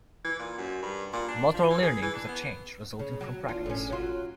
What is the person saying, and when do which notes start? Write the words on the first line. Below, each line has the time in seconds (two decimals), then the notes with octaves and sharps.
Motor learning is a change, resulting from practice.
0.24 E3
0.39 A#2
0.58 F#2
0.83 G2
1.13 A#2
1.28 D4
1.54 F3
1.71 E3
1.82 G#4
2.02 E3
2.14 D4
2.28 B3
2.99 C#3
3.21 F#3
3.48 E2 D4 F4
3.66 A2 C#4
3.90 F#3 F4